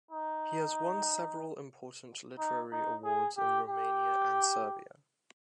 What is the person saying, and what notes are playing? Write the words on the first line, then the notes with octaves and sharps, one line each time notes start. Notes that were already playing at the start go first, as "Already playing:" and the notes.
He has won several important literary awards in Romania and Serbia.
D#4
D#4
D#4
G#4
G4
G4